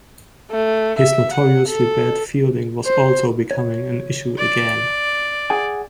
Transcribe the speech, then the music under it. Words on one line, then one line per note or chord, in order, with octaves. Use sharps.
His notoriously bad fielding was also becoming an issue again.
A3
E5
F#5
A4
C5
C#5
D5
G#4 F#5 G#5